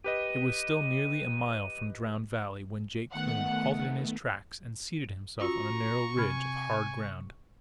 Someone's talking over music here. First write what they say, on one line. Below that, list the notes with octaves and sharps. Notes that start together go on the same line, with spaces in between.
It was still nearly a mile from Drowned Valley when Jake Kloon halted in his tracks and seated himself on a narrow ridge of hard ground.
G4 B4 D#5 D#7
D#3 A3 B3 F#5
C#4 F4 F#4 A#5 C#6
C3 G#5 B5 F6 G#6